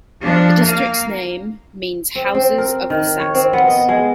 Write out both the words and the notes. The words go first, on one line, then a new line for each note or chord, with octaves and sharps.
The district's name means 'Houses of the Saxons'.
F3 D4
A#3 F5
C4
C4
A#4
D#3
C#5
C4
B3
D#5
G#3